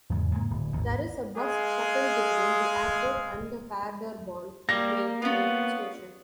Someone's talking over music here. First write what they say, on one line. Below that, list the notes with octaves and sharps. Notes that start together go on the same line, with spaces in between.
There is a bus shuttle between the airport and the Paderborn main train station.
E2 G#2 C#3
G#2 C#3 F#3 A#3
D1
G#1 D#2
G#3 G#4 F5
G3 A#3 A#4 A#6
B3 C#4 F4